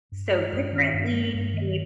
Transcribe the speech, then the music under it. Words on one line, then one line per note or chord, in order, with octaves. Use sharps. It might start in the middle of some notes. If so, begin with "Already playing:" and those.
so differently," and you
G2
G#3
G2
D#3
G2
G#3
G2
D#3